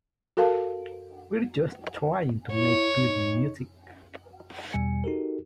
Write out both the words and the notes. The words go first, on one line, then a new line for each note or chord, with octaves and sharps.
We're just trying to make good music.
F#4 A4 A#4 F5 A5
E4 C#5
D#4
E2 B2 G3 G#5 C#7
D#4 F#4 G4 A4 A#4